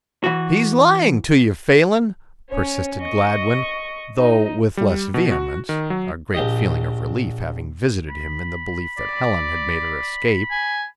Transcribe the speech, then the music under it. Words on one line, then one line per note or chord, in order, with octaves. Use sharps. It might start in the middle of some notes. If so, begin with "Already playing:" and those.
"He's lying to you, Phelan," persisted Gladwin, though with less vehemence, a great feeling of relief having visited him in the belief that Helen had made her escape.
E3 F#4
C#4 C#5
D#5 C#6
D#4 D#5
G3
B2
F#4
D#3
F#3
A#1 G4 D#5
B5
D5
G#5